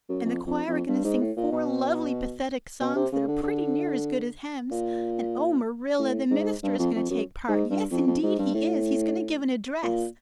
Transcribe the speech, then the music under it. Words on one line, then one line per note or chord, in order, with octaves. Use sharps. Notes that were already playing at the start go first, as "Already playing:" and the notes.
And the choir are going to sing four lovely pathetic songs that are pretty near as good as hymns. And oh, Marilla, the minister is going to take part; yes, indeed, he is; he's going to give an address.
F#2
F2
F2
F2
G2
G#2
A2
A#2
B2
B2
C3
C#3
D3
D3
A#2
A2
G#2
G2
F2
F2
F#2
G#2
G2
F2
F2
G#2
G2
A2
A#2